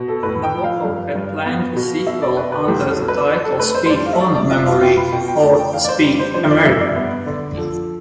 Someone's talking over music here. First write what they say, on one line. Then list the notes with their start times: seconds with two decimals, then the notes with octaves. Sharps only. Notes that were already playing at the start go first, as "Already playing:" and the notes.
Nabokov had planned a sequel under the title "Speak on, Memory" or "Speak, America".
Already playing: B2
0.08 A4
0.23 A2 B4
0.43 G5
0.54 F3
0.64 F5
0.85 G2
1.15 G2
1.46 B3
1.76 B2
2.06 B2 E5
2.22 D5
2.37 D4 B4
2.52 B4
2.64 A4
2.68 C2 G4
2.88 A4
2.98 B2
3.08 B4
3.29 D4
3.44 A4
3.60 A3 B4
3.75 C5
3.86 C5
3.90 G3 D5
4.06 F5
4.13 E5
4.21 G3 D5
4.35 D5
4.51 F4 E5
4.66 F5
4.81 F4 G5
4.97 B5
5.12 B2 G5
5.28 G5
5.42 A3 A5
5.59 G5
5.73 E2 F5
5.84 D5
5.89 C5
6.04 G3
6.19 C5
6.34 F3 C5
6.44 E5
6.51 D5
6.65 G2 E5
6.81 D5
6.96 B3
7.26 D3
7.57 F3 A4